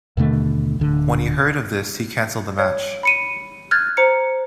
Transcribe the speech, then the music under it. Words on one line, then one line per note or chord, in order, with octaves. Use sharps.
When he heard of this he cancelled the match.
D#2 B2 D3 A3
D1 D3
C#5
B5 C#7 D#7
F6 F#6 G#6 A6
C5 A#5 C#7